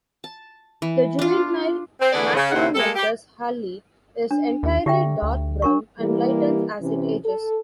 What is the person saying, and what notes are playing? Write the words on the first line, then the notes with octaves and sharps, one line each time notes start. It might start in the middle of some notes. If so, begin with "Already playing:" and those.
The juvenile "Macronectes halli" is entirely dark brown and lightens as it ages.
A5
E3
D4 F4
C4
D3 E3 A3 B3 G#4 D5
C#3
D#2 C#3 A#3 C4 E4 F#5
G3 G#3 A#3 A4
G4
D4
D#2
D3 G4 E5 G5
D2
D4 A#4 C#6
E3 G3 A#3 E4 G4
C3 E3 C#4
A4